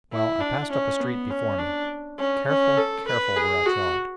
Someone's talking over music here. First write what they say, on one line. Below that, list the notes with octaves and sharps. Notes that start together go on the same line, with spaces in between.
Well, I passed up a street before me, careful, careful where I trod.
E4
D4
C#4
B3
C#4
D4
C#4
C#4
A4
B4
G#4
F#4